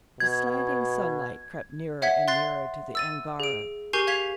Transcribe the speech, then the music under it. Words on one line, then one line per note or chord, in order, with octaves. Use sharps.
The slanting sunlight crept nearer and nearer to the angareb.
B2 G#6
C#5 E5 F#5 G#6 B6
C6 F#6 A6 C7
E6 A6 D#7
G#4 D7
G4 A#4 G#5 C#6 G6 C7
F5 G#6 B6 F7